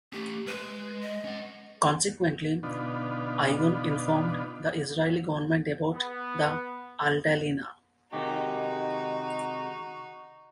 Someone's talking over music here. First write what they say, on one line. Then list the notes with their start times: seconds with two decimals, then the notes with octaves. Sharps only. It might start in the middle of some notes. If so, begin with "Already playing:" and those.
Consequently, Irgun informed the Israeli government about the "Altalena".
0.13 A3 C#4 G4
0.47 G#3 B4
1.02 D#5
1.24 C#4 F#5
2.63 B2 D3 B3 D4 D#4 F4
5.92 B3
8.13 C3 D#3 G#3 D#4 F#4 G4